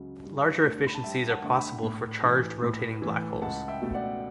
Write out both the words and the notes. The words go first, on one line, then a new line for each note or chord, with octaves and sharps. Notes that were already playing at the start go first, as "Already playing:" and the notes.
Larger efficiencies are possible for charged rotating black holes.
Already playing: C#2 C#3 F#3
G2
D3 A3
B5
A5
G2 E5 G5
F#5 A5
D3 A3
G5 B5
A2
E3 A3
A2
E3 A3
C#2 F#5 A5
E5 G5
B2 A3
D5 F#5